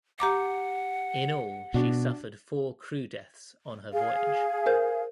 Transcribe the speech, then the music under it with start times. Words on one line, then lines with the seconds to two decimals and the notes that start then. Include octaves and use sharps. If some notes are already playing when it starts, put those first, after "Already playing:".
In all she suffered four crew deaths on her voyage.
0.20 G4 F#5 A#5 D6
1.74 B2 D4 F#4
3.93 G#4 F5
4.66 A#4 C5 G6